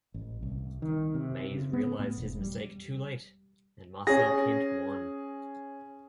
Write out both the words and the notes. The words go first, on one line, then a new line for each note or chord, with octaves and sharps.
Maes realised his mistake too late and Marcel Kint won.
A1
C2
D#3
C3
C#3
B3
A2
E1
G3
C#4 G#4 A#6